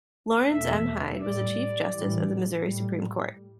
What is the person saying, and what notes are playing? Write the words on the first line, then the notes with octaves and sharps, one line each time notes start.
Laurance M. Hyde was a chief justice of the Missouri supreme court.
E2 B2 A3 E5
A2 G3 D5
A2 E3 G3
A2 G3